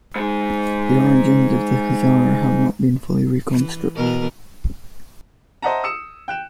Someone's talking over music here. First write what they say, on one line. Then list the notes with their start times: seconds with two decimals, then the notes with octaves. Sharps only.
The origins of the Hazara have not been fully reconstructed.
0.16 G#2 G#3
3.55 E3
3.96 B2 E3 A#4
5.62 C5 D#5 E5 F#5 A5 A#5
5.84 D#6 E6 C#7 E7
6.28 G5 F#6 E7